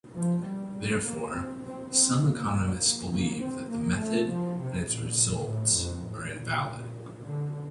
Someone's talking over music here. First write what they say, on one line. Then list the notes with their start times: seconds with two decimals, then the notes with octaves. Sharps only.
Therefore, some economists believe that the method and its results are invalid.
0.15 F3
0.44 G3
1.03 A#3
1.33 C4
1.62 C4
1.92 C4
2.22 A#3
3.10 A#3
3.40 C4
3.70 A#3
3.99 A3
4.29 F3
4.59 C3
4.87 A#2
5.47 A2
5.76 F2
6.07 A2
6.36 A#2
7.24 D3